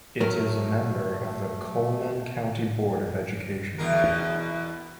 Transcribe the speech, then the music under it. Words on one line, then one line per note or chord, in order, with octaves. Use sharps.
It is a member of the Cullman County Board of Education.
F#3 A3 A#4
E2 B2 A#4